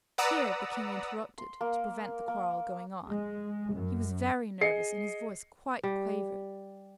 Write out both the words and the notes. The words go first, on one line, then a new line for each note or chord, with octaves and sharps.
Here the King interrupted, to prevent the quarrel going on: he was very nervous, and his voice quite quivered.
B4 D5 F#5 A#5 D#6 E6
C6
A#3
A#3
G#3
F#2
G#4 D#5 C7 C#7
G3